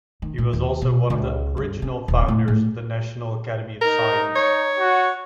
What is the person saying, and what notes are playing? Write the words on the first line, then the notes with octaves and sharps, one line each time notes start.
He was also one of the original founders of the National Academy of Science.
D#3
A#2
D#2
B2
C#2
G2
C#4
D#1
A2
A2
D#4 A#4
C#5
F#4